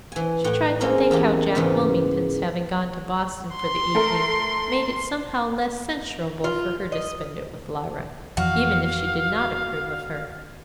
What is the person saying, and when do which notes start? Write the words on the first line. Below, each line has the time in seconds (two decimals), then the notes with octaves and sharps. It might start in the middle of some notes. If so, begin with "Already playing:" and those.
She tried to think how Jack Wilmington's having gone to Boston for the evening made it somehow less censurable for her to spend it with Lyra, even if she did not approve of her.
0.12 E3 G#5
0.44 A2 F#5 G5
0.81 G#3 A#3 C4 C#4
1.11 E2 A#3 G4
1.55 E2 G#2 C#3 E3
3.56 C6
3.95 A3 A4 A#4
6.44 F4
6.92 D#5
8.37 F2 E3 F3 F#4 F5